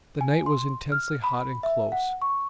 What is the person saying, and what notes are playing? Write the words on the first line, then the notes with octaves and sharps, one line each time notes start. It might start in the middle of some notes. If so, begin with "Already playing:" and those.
The night was intensely hot and close.
G#5
C6
F6
B5
E5
F#5
C#6